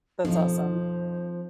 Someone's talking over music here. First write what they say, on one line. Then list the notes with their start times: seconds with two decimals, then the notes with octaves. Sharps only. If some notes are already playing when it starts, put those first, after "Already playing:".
That's awesome.
0.25 B1 F2 F3 C4 D#4 C5